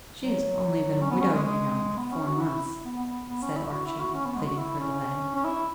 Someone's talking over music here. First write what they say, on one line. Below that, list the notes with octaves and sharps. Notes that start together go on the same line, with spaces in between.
"She has only been a widow, you know, four months," said Archie, pleading for delay.
F#3
C#4
B3
C#4
G#3
G#3
B3
C#4
F#4
E4
B3
B3
B3
C#4
E4
F#4
E4
F#4
C#4
B3
G#3
F#4
E4
C#4
C#4
E4